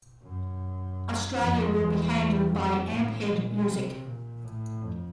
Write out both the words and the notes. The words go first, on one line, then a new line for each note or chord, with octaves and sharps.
Australia will be handled by AmpHead Music.
F#2
F2
E2
F2
A2
A#2
C3
A#2
A2
F2